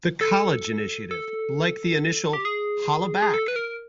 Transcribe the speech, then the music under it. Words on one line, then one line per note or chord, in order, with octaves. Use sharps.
The "College Initiative," like the initial Hollaback!
A4
A4
G4
G#4
G#4
A4
B4
A#4